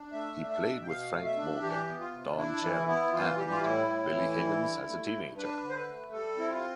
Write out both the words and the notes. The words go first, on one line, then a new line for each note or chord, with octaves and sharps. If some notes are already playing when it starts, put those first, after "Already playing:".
He played with Frank Morgan, Don Cherry, and Billy Higgins as a teenager.
Already playing: D4
A3 E5
D4
E5
B2
G5
B2 F5
A3
E5
D4
E3 G4
B3
F4
C3
D4 E4
E3 E4
B3 E4
E3 F4
G3 G4
F4
A2 E4
A2
E3
G3
D3
A3
G2
D4 B4
D3
C5
B4
A3
G3 A4
C4 E4
F4